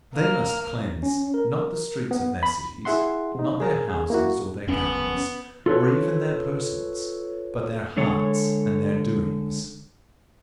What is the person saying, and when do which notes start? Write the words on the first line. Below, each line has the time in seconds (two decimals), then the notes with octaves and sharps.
They must cleanse, not the streets of their cities, not their houses or their garments or even their persons, but their hearts and their doings.
0.13 A#3 F6
1.03 C#4
1.34 A#4
2.11 B3
2.43 B5
2.85 E4 G#4 E5 F#5 C6
3.35 C3 D#4
3.60 G#4 A#4
3.89 G#4
4.10 A#3 E4 F#4
4.67 F#1 B3 C#4
5.66 F4 A4 B4 C#5
7.97 D3 G#3 A4 C#5